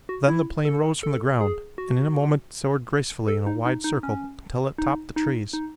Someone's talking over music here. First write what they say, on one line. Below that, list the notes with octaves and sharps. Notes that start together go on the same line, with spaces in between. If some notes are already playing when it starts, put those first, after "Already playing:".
Then the plane rose from the ground and in a moment soared gracefully in a wide circle until it topped the trees.
F#4
E4
A4
A4
G#4
F#4
A4
D#4
D#4
D#4
C#4
D#4
D#4
D#4